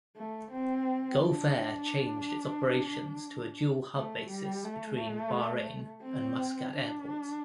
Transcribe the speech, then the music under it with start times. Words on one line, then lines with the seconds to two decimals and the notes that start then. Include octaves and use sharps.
Gulf Air changed its operations to a dual-hub basis between Bahrain and Muscat airports.
0.16 A3
0.51 C4
1.20 D4
3.96 A3
4.30 G3
4.64 A3
6.02 C4
6.71 D4